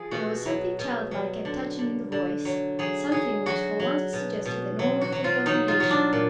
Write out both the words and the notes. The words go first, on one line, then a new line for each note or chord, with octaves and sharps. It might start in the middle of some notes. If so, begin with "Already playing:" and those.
There was something childlike and touching in the voice, something which for once suggested the normal filial relation.
Already playing: F3 G#4
B2 F#4
F#3
B2
F#3
D3
D3
D3
F#3
F#3 G#4
F#3 G#4
F#3 F#4
F#3
B2
B2
F#3
F#4
F#3
F4
F#3 D#4
F4
F#3
D4
A#2